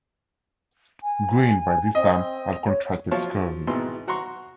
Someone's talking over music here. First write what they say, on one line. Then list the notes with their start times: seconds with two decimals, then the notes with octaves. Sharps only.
Green, by this time had contracted scurvy.
1.02 G#5
1.95 C4 D#5
2.67 C#5
3.11 F3 F#3 C#5 F5 A5
3.67 G#1 B2 E3 C6
4.07 F#4 F#5 A#5 C6 C#6